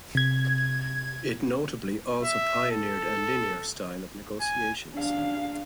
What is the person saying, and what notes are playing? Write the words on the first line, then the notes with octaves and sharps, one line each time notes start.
It notably also pioneered a "linear" style of negotiations.
C3 G#6
E5
A4
G#5
D4 F5